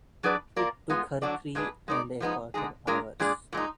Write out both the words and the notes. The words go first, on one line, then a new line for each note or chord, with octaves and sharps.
It took her three and a quarter hours.
F#3 D4 G#4 B4 D5
A#3 F4 A#4 D5
G#3 B3 F4
D3 F#3 D4 F#4 D5
A#2 G#3 D4 G#4 B4
G#3 D#4 A#4 D5
F3 G#3 B3 D#4
D3 G#3 D#4 G#4
G#3 D4 F4 A#4
A#2 G#3 D4 G#4 D5
A#2 G#3 D#4